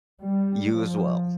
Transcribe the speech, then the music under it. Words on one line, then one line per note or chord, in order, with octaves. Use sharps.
You as well.
G3
F3